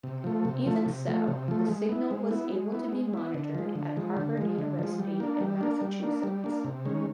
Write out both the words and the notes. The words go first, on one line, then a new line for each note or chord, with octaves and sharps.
Even so, the signal was able to be monitored at Harvard University in Massachusetts.
C3
F3 A3
C3
F3 A3
C3
F3 A3
C3
F3 A3
G#3
B3 E4
G#3
B3 E4
G#3
B3 E4
G#3
B3 E4
D3
F3 G#3
D3
F3 G#3
D3
F3 G#3
D3
F3 G#3
G3
A#3 D4
G3
A#3 D4
G3
A#3 D4
G3
A#3 D4
C3
D#3 G#3 C#4